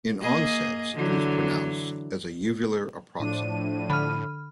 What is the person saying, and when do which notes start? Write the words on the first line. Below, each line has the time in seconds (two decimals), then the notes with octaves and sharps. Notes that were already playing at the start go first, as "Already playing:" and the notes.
In onsets, it is pronounced as a uvular approximant.
0.21 A#3 G#4 D#5
0.94 D3 E3 F#3
3.20 A2 F3 D4 D#7
3.90 D3 B5 F6